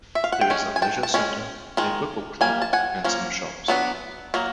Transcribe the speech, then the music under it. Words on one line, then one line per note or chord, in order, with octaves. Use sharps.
There is a leisure centre, a football club and some shops.
E5
F5
F#5
G5
G#3 C#4
G#5
G5 A5
A5
G#3 C#4
D#3 G#3
G3 A#3 G#5
A5
F#5 G#5
F3 A#3 C#4
F#3 B3 D4
F#3 A#3